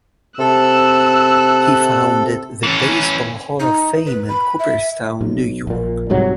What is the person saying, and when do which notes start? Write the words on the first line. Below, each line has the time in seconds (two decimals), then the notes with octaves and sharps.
He founded the Baseball Hall of Fame in Cooperstown, New York.
0.39 C3 A4 E6 F#6
2.63 E3 C#4
3.60 D#4
4.06 B4
4.29 B5
4.59 E5
5.21 B1
5.67 A#1 A#2
6.10 C2 G#2 C3 F#3